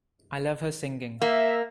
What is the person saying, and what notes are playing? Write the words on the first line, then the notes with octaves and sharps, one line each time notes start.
I love her singing.
A#3 E5